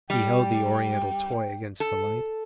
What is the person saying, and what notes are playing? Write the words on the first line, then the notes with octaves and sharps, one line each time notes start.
He held the oriental toy against the light.
G3 G5
A4